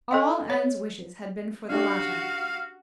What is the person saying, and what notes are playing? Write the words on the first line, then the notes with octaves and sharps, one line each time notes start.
All Anne's wishes had been for the latter.
A4 D#5 F5
C#5
C#4 D4 F#4 G4 F5